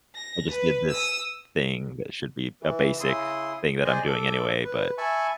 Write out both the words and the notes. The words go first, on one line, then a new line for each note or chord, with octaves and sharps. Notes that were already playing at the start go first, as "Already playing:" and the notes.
"I just did this thing that should be a basic thing that I'm doing anyway," but
A#6
B4
D#6 E6
E3
C#3 E4 C6 D#6
G#4 C5 D5 D#5
A4 D6
B4
E5 G#5 A5 B5 C#6